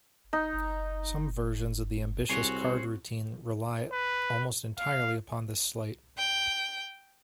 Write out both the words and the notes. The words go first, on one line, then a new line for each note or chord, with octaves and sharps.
Some versions of the ambitious card routine rely almost entirely upon this sleight.
D#4
C2 C4 F#4 G#4 C5 C#5
B4
F5
G5